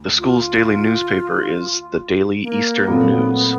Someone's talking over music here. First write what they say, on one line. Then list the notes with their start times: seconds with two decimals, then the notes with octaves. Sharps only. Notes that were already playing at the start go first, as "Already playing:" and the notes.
The school's daily newspaper is The Daily Eastern News.
Already playing: D2
0.18 F4
2.43 A#3
2.87 A#2 F#3 A3 B3 C4 F4